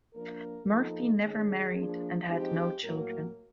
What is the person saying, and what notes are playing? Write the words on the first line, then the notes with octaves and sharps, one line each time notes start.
Murphy never married and had no children.
F3 A#3 D4 A#4
F3 A#3 D#4 A4
D#3 G#3 C#4 G#4
F3 A#3 D4
F3 G#3 C4 D#4 G4
A2 F#3 A#3 A#4